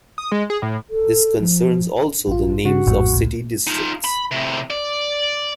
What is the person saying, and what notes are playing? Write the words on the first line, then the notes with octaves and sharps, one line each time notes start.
This concerns also the names of city districts.
D#6
G#3
G#4
A2
A4
F3
A1 F4
C#3 F#4
A1 F2 G#2
C#2 A2
D#4 F4
B5
A2 C3
D5